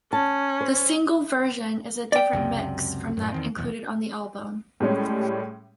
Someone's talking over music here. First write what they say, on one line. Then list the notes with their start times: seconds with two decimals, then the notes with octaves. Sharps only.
The single version is a different mix from that included on the album.
0.13 C#4 A5
0.61 C5
2.12 D5 G5
2.33 C#2 F#2 C3
3.17 F#2 A2
3.32 E2 D#3 C4
3.56 F1 B1 E2
4.80 A2 G3 G#3 C#4